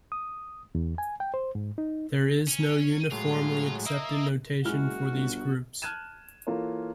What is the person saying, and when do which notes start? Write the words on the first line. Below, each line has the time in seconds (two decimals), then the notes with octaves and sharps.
There is no uniformly accepted notation for these groups.
0.12 D#6
0.75 E2
0.98 G#5
1.20 G5
1.34 C5
1.55 G#2
1.78 D#4
2.48 C#4
3.12 A2 F#3 G#3 F4
3.86 A#3 D#5 E5 A#5
4.65 F#1 G#3 E4 F#4 F6
5.11 G1
5.82 A5 F6 F#6 G#6 D#7 E7
6.47 E3 A#3 F4 A4 C#5